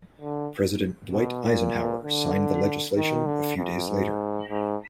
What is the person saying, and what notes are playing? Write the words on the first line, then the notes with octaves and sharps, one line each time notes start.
President Dwight Eisenhower signed the legislation a few days later.
D3
B2
A#2
D3
D#3
D3
F2
G#2
G#2